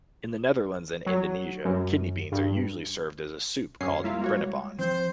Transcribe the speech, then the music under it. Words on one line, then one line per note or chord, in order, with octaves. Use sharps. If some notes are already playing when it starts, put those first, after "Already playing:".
In the Netherlands and Indonesia, kidney beans are usually served as soup called "brenebon".
F#3
F#2
G2
F#2 C#4 C7
G3 G#3 A#3 E4 F4
A#3 F#4 C#5
E3 F3 C4 C5